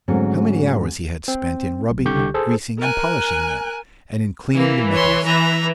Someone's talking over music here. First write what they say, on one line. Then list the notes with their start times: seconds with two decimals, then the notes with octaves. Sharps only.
How many hours he had spent, in rubbing, greasing, and polishing them, and in cleaning the mechanism!
0.08 G#2 D3 F#3 A3 C4 C#4
1.28 C4
1.90 B1
2.05 C2 D3 G4 C#6 G6
2.34 G#4 A4 C5
2.78 A#4 G#5 F#6
4.55 E3 A#3
4.93 C#5 C6
5.25 E3 E5 A#5